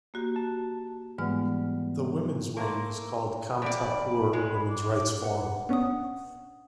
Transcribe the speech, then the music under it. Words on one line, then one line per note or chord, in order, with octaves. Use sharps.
The women's wing is called Kamtapur Women's Rights Forum.
A#3 F#4 G4
A5
G#2 E3 G3 G#3 B3 F6
A3 A#3 A#5 C6
F2 G3 D5 B5
G#3 B5
D6
D6
B4 F#5
B3 C#4 D4 F#5 D#6